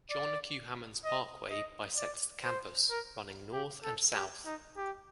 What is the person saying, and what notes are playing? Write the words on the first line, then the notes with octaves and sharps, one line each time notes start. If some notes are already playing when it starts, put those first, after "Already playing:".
John Q. Hammons Parkway bisects the campus, running north and south.
D5
D#5
D#5
D5
C5
A#4
G4
A4
G4
D#4
G4